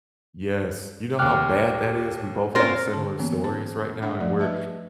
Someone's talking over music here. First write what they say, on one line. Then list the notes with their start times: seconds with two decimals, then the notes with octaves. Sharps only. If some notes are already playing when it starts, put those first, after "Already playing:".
Yes. You know how bad that is? We both have similar stories right now, and we're
1.19 D#2 G5 D6 F6 F#6
2.55 A#3 C4 C#4 F4 A#4 C5
2.93 D3 A5
3.19 E3 A#3 B3 C#4
3.44 C5 A5
4.02 D4 E5 F#5 B5
4.20 F3 A3 D5
4.39 B4 D#5 E5 A5